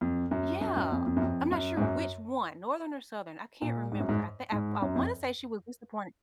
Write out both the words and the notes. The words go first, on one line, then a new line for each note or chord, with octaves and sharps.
mm Yeah, I'm not sure which one, Northern or Southern, I can't remember, I think I I wanna say she was disappointed
F2
F#2
F#2
F#2
F2
F2
F#2
F2
F#2
G#2
F#2
A#2
G#2
F#2
G#2
G#2
F#2
F2